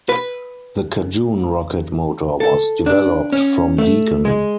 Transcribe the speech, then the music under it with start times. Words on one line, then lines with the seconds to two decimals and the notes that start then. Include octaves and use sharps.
The Cajun rocket motor was developed from Deacon.
0.09 B4
2.40 A4
2.86 D4
3.32 C#4
3.78 A3
4.25 G#3